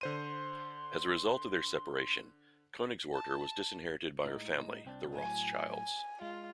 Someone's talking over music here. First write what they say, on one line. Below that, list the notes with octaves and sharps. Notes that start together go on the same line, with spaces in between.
As a result of their separation, Koenigswarter was disinherited by her family, the Rothschilds.
D3 C5 C6 D#7
A5
A2 G#3 D#4
C2 C4 D4
A2 F#3 G#5
G#5
G#3 F4